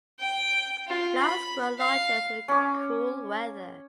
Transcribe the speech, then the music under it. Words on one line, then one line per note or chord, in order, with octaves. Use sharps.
Flowers grow largest in the cool weather.
G5
F4
B5
F5
C#4 D6